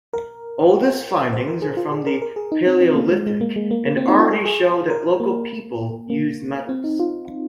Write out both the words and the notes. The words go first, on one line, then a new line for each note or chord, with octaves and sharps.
Oldest findings are from the Paleolithic and already show that local people used metals.
A#4
C5
A#4
G#4
F4
G#4
A#4
A#4
G#4
D#4
C4
C4
A#3
G#3
G#3
A#3
G#3
A#3
A#3
C4
D#4
F4
G#4
G#4
A#4
A#3
A#3
C4
D#4
F4